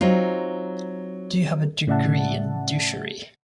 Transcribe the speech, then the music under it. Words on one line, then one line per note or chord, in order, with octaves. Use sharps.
Do you have a degree in douchery?
F#3 C4 D#4 F4
A2 C#3 D5 E5 F#5 A5